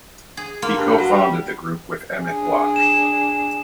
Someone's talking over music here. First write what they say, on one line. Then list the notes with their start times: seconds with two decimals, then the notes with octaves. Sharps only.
He co-founded the group with Emit Bloch.
0.37 G#4
0.62 A#3 F4
0.76 G2
0.98 F#3
1.13 G3
2.22 D4 G#4
2.76 E7